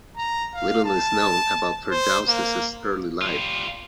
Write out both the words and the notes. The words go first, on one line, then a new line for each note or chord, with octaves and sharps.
Little is known about Ferdowsi's early life.
A#5
F5
A5
C5
A#3
G3 F4